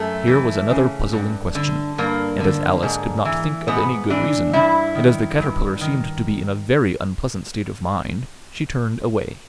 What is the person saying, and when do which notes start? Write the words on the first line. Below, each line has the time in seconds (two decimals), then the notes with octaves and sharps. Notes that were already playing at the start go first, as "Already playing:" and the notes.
Here was another puzzling question; and as Alice could not think of any good reason, and as the Caterpillar seemed to be in a VERY unpleasant state of mind, she turned away.
Already playing: F#2 A3
0.27 E3
0.70 C#3
1.13 G2
1.55 D3
1.98 G2 A#3
2.40 D3
2.83 G#2
3.25 E3
3.68 G#2 B3
4.10 E3 D4
4.53 G2 E4
4.95 D#3
5.38 G2
5.81 D#3